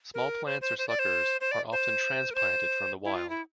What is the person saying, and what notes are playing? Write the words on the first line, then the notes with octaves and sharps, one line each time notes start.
Small plants or suckers are often transplanted from the wild.
A#4
C5
C5
C5
D5
C5
C5
D5
C5
A#4
C5
E4
F4
E4